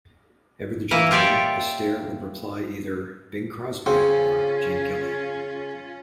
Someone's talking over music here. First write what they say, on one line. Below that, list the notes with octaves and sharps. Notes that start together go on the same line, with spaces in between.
Ever the gentleman, Astaire would reply either "Bing Crosby" or "Gene Kelly".
E3 A#3 E4
F4 G4 C#5 D5 E5
C#3 C4 C#4 F4